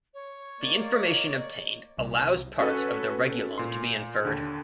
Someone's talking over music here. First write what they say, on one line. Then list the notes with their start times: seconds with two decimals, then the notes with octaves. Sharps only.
The information obtained allows parts of the regulome to be inferred.
0.14 C#5
0.61 A#3 D5 D#5
1.98 C2
2.59 C#4 F#4 A4 B4
3.58 A#2 C6
4.25 D#2 D3